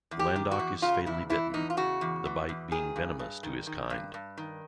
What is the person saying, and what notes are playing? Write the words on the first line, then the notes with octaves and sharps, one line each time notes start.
Landok is fatally bitten, the bite being venomous to his kind.
E2
G4
D#3
F#4
E2
C#3 F4
E2 E4
E3 E4
E2 D#4
F4
C#3 F#4
E2
E3
E2
D#3 G#4
G2
G2
D#3
D#3
G2
G2
D#3